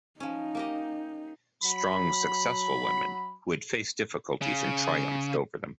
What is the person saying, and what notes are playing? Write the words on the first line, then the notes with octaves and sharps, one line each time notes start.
Strong, successful women, who had faced difficulties and triumphed over them.
F3 C#4 D#4
A#3 G4 D#5
F#3 B5
C#3